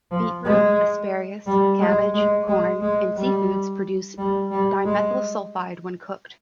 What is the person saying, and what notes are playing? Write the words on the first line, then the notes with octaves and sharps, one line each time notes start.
Beetroot, asparagus, cabbage, corn and seafoods produce dimethyl sulfide when cooked.
F3
G#3
G3
G#3
G#3
G#3
G#3
G3
G3
G3
G#3